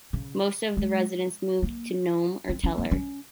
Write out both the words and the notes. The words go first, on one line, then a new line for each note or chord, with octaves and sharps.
Most of the residents moved to Nome or Teller.
C#3
G#3
A#3
C4
C#4
A#3
C#4